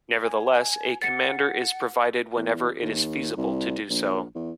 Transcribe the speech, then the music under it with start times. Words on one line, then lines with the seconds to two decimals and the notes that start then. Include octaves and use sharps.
Nevertheless, a commander is provided whenever it is feasible to do so.
0.22 G#5
1.02 F#5 A6 C#7
2.36 E2
2.82 D#2
3.37 C2
3.90 A#1
4.35 E2